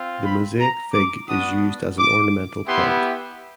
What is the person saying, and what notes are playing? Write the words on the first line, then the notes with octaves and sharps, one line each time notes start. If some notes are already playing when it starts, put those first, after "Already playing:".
The mosaic fig is used as an ornamental plant.
Already playing: C4 F4
B5
A#5
D6
B3 D4 F#4 D#6
D6
B3 E4 G4 C6